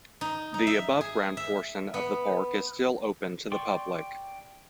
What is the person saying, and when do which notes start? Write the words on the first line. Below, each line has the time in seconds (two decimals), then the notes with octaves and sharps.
The above ground portion of the Park is still open to the public.
0.21 D#4
0.54 D#4
0.67 E5
1.01 G#4
1.37 E5
1.94 B3
3.52 D5 G5 C6 C#6